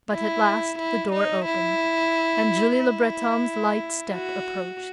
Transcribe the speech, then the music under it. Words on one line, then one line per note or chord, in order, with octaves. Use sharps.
But at last the door opened and Julie Le Breton's light step approached.
E4
E4
D#4
E4
E4
F#4